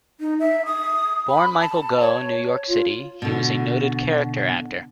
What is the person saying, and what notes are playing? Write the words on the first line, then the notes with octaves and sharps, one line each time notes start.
Born Michael Gough in New York City, he was a noted character actor.
D#4
E5
D#6
B5
A5
C#5
F4
B2 D3